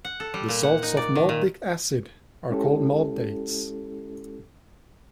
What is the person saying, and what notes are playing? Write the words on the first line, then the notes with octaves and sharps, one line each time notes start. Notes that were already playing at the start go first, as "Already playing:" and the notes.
The salts of molybdic acid are called molybdates.
F#5
A4
G3
A#2
F#5
D#4
D5
D#3
A#2
G#3 C#4 E4 G4 A4